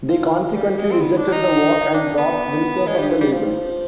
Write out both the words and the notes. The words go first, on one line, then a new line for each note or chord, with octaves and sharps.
They consequently rejected the work and dropped Wilco from the label.
F3
G3
G#3
C4
B3
D4
D#4
D4
B3
G#3
G3
F3
G3
F3